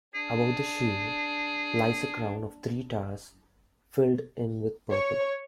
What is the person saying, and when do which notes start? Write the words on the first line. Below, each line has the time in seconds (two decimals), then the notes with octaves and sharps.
Above the shield, lies a crown of three towers filled in with purple.
0.15 D4 G#4
4.91 C#5